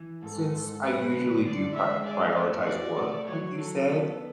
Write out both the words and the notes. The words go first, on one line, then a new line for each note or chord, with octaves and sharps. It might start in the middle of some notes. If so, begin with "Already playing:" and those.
since I usually do prio prioritize work, like you said,
Already playing: E3
G#2 A4
G#2
F#3 B4
D3
D3 D5
G#3 E5
G#4 D5
A3
F#4 D5
A3
F#3 C#5
F#3 A4
B3 A4